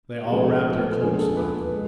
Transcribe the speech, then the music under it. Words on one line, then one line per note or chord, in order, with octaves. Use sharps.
They all wrapped their cloaks about them.
G4
A#1 A2 F3 G#3 G#4
A4
B4
C5
B4
A4
A#1 A#2 F3 G#3 G#4
A4
B4
G#3